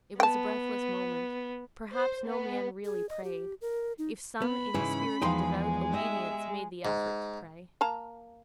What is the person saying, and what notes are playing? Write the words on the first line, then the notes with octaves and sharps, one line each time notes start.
It was a breathless moment: perhaps no man really prayed, if some in a spirit of devout obedience made the effort to pray.
B3 G5 A5
C5
B3
G#4
D#5
G4
A#4
D#4
B3 B5
G#2 C#3 E3 C#4
E2 F3 G#3 D#4 G#4 F5 G5 C6
G4 D#5 E5
G#2
A#3 A5 A#5